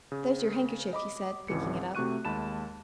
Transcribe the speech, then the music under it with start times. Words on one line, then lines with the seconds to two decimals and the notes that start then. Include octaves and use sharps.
"There's your handkerchief," he said, picking it up.
0.12 C#3
0.93 D#5 B5 D6
1.48 G#1 C#2 E3 C#7
1.95 C3 A3 F#4 C#6 F#6 D#7
2.25 D#2 G#3 A5 B5 E7